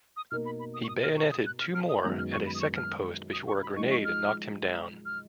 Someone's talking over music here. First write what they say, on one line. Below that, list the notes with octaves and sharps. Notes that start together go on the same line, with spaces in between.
He bayoneted two more at a second post before a grenade knocked him down.
D#6
B2 A#3 D#4 A#4 F6
B5
B5
D#6
C#6
D#6
F6
C#6
D#6
F#6
F6
F6
D#6
F#2 D#3 G#3 B3 A#5
F6
C#6
B5
D#6
C#6
F6
D#6
C#6
B5
F3 G#3 D#4 C#6
C#6
F6
F6